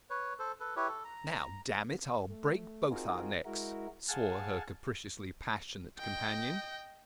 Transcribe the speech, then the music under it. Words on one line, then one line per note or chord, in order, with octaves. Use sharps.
"Now, damn it--I'll break both our necks!" swore her capriciously passionate companion.
B4 C#5
A4 C5
A4 B4
E4 G4 B4 C#5
A4
A#5
A3
C4 D#4 F4 F#4 G#4 A#4
G#3 E4 F#4 A#4
G#4 F5 F#5 G#5 A5
D#5 G5